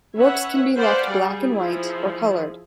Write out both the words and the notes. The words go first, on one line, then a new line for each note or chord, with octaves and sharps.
Works can be left black and white, or colored.
C#4 B4 C#5 E5 F#5
B4 C5 D5 F5 F#5 G#5
G3 G#4
F3 E4 G#4